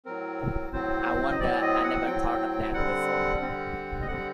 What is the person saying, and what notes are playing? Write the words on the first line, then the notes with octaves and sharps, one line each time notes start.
I wonder I never thought of that before.
A2 F#3 C4 A#4
A2 F#3 C4 C5
D#5
A2 F#3 C4 D5
D#5
F#5
A2 F#3 C4 G5
D3 G3 C4 F#5
D3 G3 C4
D#5
D3 G3 C4 F#5